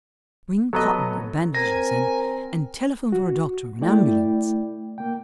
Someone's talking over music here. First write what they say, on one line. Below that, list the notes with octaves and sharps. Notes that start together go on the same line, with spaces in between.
"Bring cotton and bandages, and--and telephone for a doctor, an ambulance!"
F#3 B3 A4 D#5 A#5
C4 A#4 G#5 A#6
F#4
A3 E4 D5 G5
A#3 G5